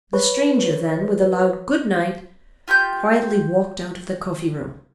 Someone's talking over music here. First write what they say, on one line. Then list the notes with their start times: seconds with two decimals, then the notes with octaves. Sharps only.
The stranger then, with a loud "Good-night," quietly walked out of the coffee-room.
0.13 B4 C#5
2.68 F4 G4 C#6 G6